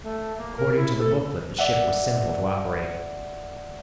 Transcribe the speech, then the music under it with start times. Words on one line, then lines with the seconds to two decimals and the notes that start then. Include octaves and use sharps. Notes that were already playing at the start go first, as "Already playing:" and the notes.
According to the booklet, the ship was simple to operate.
0.03 A3
0.37 A#3
0.57 A#4
0.76 E4
0.98 A4
1.59 D5 E5 F#5